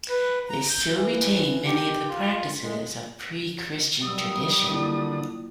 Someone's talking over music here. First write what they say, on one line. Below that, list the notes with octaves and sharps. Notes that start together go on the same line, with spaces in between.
They still retain many of the practices of pre-Christian tradition.
B4
A#5
G6
E3
G4
F4
G#3
D#3 F#3 G3 D#6 E6
D3 A#3 E4 F4